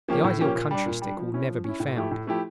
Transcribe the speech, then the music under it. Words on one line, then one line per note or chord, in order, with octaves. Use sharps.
The ideal country stick will never be found.
F3 A#3 C#4 G4
A2
F3 A#3 C#4 G4
A#2
G3 D4
A#2
G3 D4
F3
C#4 E4
F3
C#4 E4
A2
F3 A3 E4 G4
A2
F3 A3 E4 G4